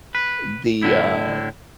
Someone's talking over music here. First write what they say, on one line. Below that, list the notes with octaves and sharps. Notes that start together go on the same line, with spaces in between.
the, uh,
B4
A2 D3 E4